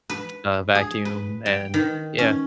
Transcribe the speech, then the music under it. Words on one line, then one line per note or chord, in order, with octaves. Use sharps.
uh, vacuum, and yeah,
B4
G#4
B4
G5
D#3
C#4